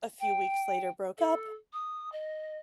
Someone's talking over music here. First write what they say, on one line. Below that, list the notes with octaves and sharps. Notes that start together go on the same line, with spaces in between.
a few weeks later broke up.
G5
A4
D#6
D#5